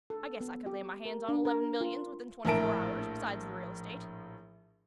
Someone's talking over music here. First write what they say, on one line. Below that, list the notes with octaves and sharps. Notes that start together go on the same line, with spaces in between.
I guess I could lay my hands on eleven millions within twenty-four hours, besides the real estate.
A4
B3
G4
A#4
D4
A#4
F4
A#1 A2 A#4 E5 A5 D7